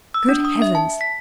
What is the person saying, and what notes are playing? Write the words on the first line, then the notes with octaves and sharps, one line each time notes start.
Good heavens!
E6
D4
D#6
E5
A5
B6